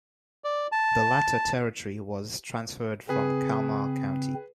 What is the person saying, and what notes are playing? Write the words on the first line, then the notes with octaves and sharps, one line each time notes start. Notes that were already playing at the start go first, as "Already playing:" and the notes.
The latter territory was transferred from Kalmar County.
D5
A5
C#3 C4 G#4 B4